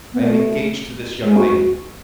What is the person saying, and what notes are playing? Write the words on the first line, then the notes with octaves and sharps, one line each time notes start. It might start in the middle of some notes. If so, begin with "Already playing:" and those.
I am engaged to this young lady.
B3
A3
G#3
F#4